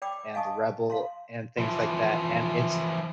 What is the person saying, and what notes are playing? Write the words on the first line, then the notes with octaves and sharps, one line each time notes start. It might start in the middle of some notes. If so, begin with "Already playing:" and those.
and The Rebel, and things like that, and it's
D5 G5 B5 D6 E6
D#5 F5 G#5 A5 C#6 D#6
F5 C6
E3 F3